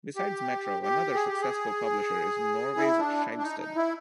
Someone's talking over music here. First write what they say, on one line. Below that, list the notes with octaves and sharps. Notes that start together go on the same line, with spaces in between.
Besides Metro, another successful publisher is Norway's Schibsted.
G4
G4
G#4
G4
G#4
E4
D4
D4
D#4
D#4
E4